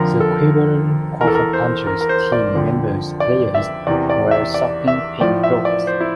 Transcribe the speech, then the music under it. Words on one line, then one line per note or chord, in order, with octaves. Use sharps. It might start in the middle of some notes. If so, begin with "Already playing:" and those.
The Quiberon Quafflepunchers team members players wear shocking-pink robes.
Already playing: F2 D3 F3 A#4
A4
E2 E3 A4 A#4
A#4
C5
A#4
A#4
C5
D5
F2 D3 F3
D5
E5
E2 C3 E3 D5
D5
E5
D5
E5
A2 F3 D5
E5
D5
C5
E4